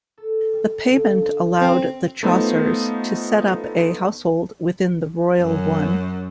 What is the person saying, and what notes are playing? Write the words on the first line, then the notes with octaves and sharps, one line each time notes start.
This payment allowed the Chaucers to set up a household within the royal one.
A4
G3
D3 F3 A4
D#3 C4
A3 B3 D#4 F4 C5
F#2